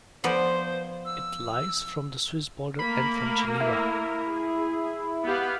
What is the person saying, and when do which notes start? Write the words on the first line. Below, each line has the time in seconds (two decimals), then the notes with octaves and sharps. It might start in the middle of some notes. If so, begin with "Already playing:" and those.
It lies from the Swiss border and from Geneva.
0.24 F3 B3 C5 D5
1.06 E6
2.79 A3 A#3 A#4 B5
3.60 E4
4.32 G#4
5.24 B3 G4 F5